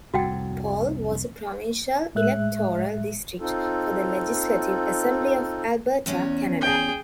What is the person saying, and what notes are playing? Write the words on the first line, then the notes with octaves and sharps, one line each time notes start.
Paul was a provincial electoral district for the Legislative Assembly of Alberta, Canada.
C2 F2 F#4 F#5 G5
A2 G#3 E5 F#6
C4 D#4 F4 A4
E2 C#4
G#4 G5